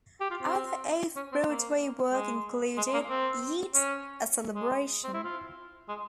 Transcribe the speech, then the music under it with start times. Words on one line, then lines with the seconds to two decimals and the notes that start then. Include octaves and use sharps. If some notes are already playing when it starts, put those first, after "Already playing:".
Other Off-Broadway work included "Yeats: A Celebration".
0.21 G4
0.31 F4
0.42 C4
1.16 C#4
1.32 C4
1.49 A#3
2.13 G#3
2.77 G#3
2.93 A#3
3.10 C4
3.74 C#4
4.55 G#3
5.04 C4
5.14 E4
5.24 F4
5.88 G#3